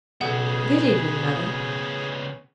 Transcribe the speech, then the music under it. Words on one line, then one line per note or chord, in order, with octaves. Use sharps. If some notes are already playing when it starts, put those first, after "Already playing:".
'Good evening, Mother.'
B1 C#3 B3 G#4 F#5